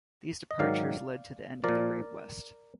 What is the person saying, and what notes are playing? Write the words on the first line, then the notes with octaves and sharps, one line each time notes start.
These departures led to the end of the Great West.
D#5
G#2 D#3 F#3 D5 F5
A#2 F3 A#4 D5